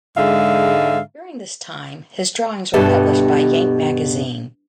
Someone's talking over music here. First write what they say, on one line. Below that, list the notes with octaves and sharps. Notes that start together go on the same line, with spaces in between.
During this time, his drawings were published by "Yank" magazine.
G#2 D3 G#3 E5 F5
G2 B2 G4 A4 E5 A5